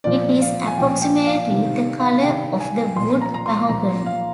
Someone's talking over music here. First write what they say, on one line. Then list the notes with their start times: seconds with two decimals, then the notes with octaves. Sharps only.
It is approximately the color of the wood mahogany.
0.04 A#2 F3 D5
0.42 F5
0.68 G#5
0.78 A#2 F3 G5
1.02 G5
1.27 F5
1.50 C3 D#3 F5
2.00 F5
2.23 C3 D#3 G5
2.60 G#5
2.96 A#2 F3 C6
3.21 A#5
3.34 A#5
3.46 C6
3.69 A#2 F3 A#5
4.06 F5